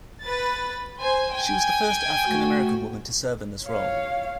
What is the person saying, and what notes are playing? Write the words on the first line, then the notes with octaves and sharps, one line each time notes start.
She was the first African American woman to serve in this role.
B4 A6
C5 G#5
G5 G#5
A3 F#4
C#5 F5